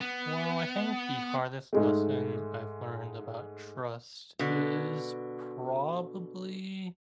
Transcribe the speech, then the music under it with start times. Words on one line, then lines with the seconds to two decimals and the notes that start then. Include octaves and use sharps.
Well, I think the hardest lesson I've learned about trust is probably
0.01 B3
1.73 G#2 G#3 A3
4.39 B2 D3